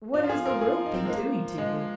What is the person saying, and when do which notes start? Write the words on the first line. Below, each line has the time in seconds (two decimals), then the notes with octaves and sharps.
'What has the world been doing to you?'
0.14 F3 D#4
0.24 F4
0.29 G#4
0.45 A#4
0.61 G#4
0.86 D#4
0.94 C4
1.05 G#3
1.10 F3 A#3
1.58 G#3